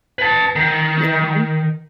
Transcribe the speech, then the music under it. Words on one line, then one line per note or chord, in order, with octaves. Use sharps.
You know?
B4 A5
D#3